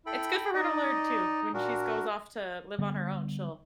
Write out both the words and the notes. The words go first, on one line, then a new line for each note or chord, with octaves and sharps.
It's good for her to learn, too, when she's goes off to live on her own, she'll
E4 A4 G5 B5
D#4 D5 D#5
A#2 D4 F#4 A#4
D3 G3 B3